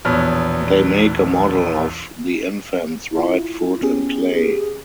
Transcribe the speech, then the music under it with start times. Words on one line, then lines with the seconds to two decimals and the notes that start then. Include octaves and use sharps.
They make a model of the infant's right foot in clay.
0.05 A#1 E2 B2 B3 C#5 F6
3.19 E4 F4
3.81 B3 C#4 G4 G#4